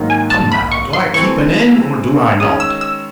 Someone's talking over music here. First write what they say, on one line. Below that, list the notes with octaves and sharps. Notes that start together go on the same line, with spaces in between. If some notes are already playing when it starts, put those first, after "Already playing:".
Come now, do I keep an inn, or do I not?
Already playing: G#2 D#3 F#3 A#3
G#5
A5
B5
C#6
C6
E3 A3 C4 C#6
D#3 G#3 C#4 D#6
E6
E6